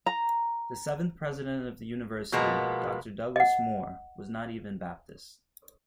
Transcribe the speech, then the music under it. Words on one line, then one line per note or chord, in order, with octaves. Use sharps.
The seventh President of the University, Doctor Douglas Moore, was not even Baptist.
A#5
B2 F3 G#3 A#3 B3
D#5 F#5